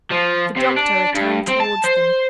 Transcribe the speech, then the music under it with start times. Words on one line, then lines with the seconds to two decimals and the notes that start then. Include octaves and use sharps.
The doctor returned towards them.
0.11 F3
0.56 C3
0.76 D4
1.15 G2
1.48 C4
1.60 A5
1.84 C5